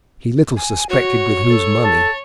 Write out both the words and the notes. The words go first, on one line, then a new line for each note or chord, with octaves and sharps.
He little suspected with whose money.
G#5
F#4 C#5
A4
A5